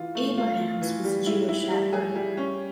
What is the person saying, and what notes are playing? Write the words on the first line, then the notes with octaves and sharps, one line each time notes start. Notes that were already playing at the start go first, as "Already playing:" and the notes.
Abrahams was Jewish at birth.
Already playing: E3 F4
A3
F4
F4
E3
G3
E4
E4
G3
G#4
G3
C#4